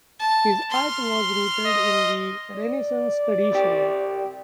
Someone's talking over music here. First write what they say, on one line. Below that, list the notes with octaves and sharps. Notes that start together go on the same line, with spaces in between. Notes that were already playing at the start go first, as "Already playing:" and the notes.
His art was rooted in the Renaissance tradition.
A5
C6 F6
D#5
D5
C2 G4